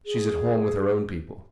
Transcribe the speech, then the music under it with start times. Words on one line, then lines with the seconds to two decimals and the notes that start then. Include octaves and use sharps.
"She is at home with her own people."
0.06 G#4